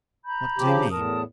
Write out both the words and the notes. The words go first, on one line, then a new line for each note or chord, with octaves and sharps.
"What do you mean?"
A#5 B5 G6
C#3 F3 G4
E2 A2 A#4 A5 D#6